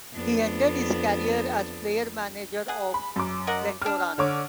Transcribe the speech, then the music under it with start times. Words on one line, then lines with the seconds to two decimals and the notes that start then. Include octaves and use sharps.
He ended his career as player-manager of Glentoran.
0.14 F2 B3 D4
2.68 G#4 F#5
2.94 B5
3.16 F#2 D6
3.47 A#4 D#5 F#5
3.82 G3 D4 F6
4.18 D3 C#5 D6